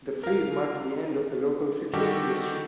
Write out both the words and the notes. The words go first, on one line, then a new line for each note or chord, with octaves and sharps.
The freeze marked the end of the local citrus industry.
A#4 F5
D#3 G3 F#4 G4 A4